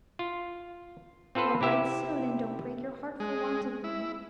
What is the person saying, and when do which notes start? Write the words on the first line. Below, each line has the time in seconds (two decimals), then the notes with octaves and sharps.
Well, write soon, and don't break your heart for want of me.'
0.19 F4
1.35 C4 F4 A4 B4 C5
1.61 C3 E4 G4 E5
3.20 G#3
3.84 E4